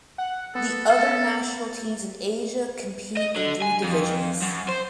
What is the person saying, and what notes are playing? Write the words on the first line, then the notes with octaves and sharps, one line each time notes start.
The other national teams in Asia compete in three divisions.
F#5
B3 A4
A4
D#5
D3
G#5
F2
F#2
C5